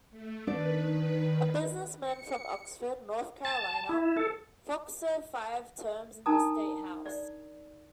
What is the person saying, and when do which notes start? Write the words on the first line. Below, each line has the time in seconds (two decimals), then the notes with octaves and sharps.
A businessman from Oxford, North Carolina, Fox served five terms in the state House.
0.11 A3
0.47 D#3 D4 B4 D5
2.01 C#7
3.45 A5
3.89 E4
4.17 A4
6.26 D4 D#4 A#4 A5 A#5 D#6
7.06 D5